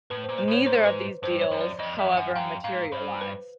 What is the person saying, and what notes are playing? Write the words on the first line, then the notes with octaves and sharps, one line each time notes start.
Neither of these deals, however, materialized.
A2 B4
A#2 C5
C5
A2
C#5
G#2 C5
B4
G2 C5
C#5
F#2
D5
F2 D#5
F2 E5
F#2 F#5 G#5
F#2 F5 G5
G#2 F5
G2 C5
B4